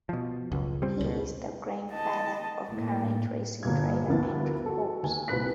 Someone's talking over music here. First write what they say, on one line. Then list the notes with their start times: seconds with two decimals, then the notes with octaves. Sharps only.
He is the grandfather of current racing driver Andrew Hobbs.
0.09 B2 F3
0.52 F#1 C#2
0.82 G3 C4
1.01 C#2 B2
1.92 D#5 A5
2.70 A2 A#3
3.63 G1 A#2 G#6
4.08 D2 F3 A#3 B3 E4 A6
4.66 F#4 A4
5.03 D#2 G#5
5.28 C2 A#2 C4 B4 F#6 B6